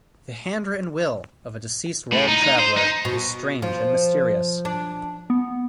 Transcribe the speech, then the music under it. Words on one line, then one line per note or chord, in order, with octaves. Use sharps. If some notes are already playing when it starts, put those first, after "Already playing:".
The handwritten will of a deceased world-traveller is strange and mysterious.
A2
D#4
D#4
C5
D#4
B2
F3
D4
B3